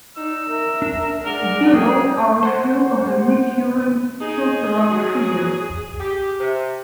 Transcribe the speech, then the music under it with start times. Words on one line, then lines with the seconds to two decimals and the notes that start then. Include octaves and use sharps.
Below are a few of the recurring cultural figures.
0.17 D#4 D5 E6
0.48 A#4 E5
0.82 D4
1.25 G#3 A#4 D5 F#5
1.73 F#3 G#4 A#4 G5
2.43 C5 F#5
4.20 D#4 G#4
4.90 F#3
6.00 G4
6.40 C3